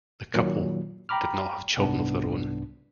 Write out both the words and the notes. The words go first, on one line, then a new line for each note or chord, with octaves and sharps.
The couple did not have children of their own.
A#2 D#3 F#3
G5 A#5 B5 D6 F6
C2 G#2 B3 D4